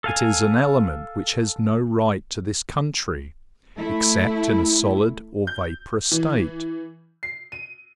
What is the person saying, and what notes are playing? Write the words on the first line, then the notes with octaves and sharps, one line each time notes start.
It is an element which has no right to this country, except in a solid or vaporous state.
A4 F5 G#5
A3 E4
G6
E3
C7
D#7